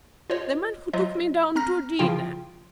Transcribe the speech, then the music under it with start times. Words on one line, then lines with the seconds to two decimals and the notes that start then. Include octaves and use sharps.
The man who took me down to dinner!
0.30 F4 C5 C#5 D#5
0.93 F#3 F4 C5 D#5
1.56 C4 A#5 F6 A#6
1.99 C#3 F3 E4 F4 G5